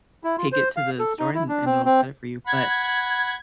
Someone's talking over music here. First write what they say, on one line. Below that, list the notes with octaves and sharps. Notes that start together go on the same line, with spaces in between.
take it to the store and and it'll cut it for you, but,
E4
F4
C5
F5
A4
D#4
E4
D4
C4
C4
F#5 B5 G#6